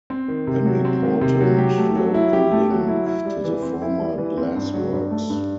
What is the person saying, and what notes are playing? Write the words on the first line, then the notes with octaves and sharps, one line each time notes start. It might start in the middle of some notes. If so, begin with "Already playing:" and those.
An important local link to the former glassworks.
C4
D#3
C3
F#3
C4
D#3
C3
F#3
G4
A3
F#3
E4
G4
A3
F#3
E4
E4
G3
E3
C4
E4
G3
E3
C4
G2
F#3
G2
A3
G2